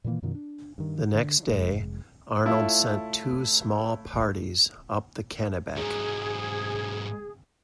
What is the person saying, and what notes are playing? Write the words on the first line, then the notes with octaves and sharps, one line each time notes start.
The next day, Arnold sent two small parties up the Kennebec.
A#2 D#3 E3 A#3
F#2 B2 D#3 F3
D4
G2 D#3
D3
F1 E2 G#3
A3 E4 F4 A4 C#5
G#2 F#3 G#4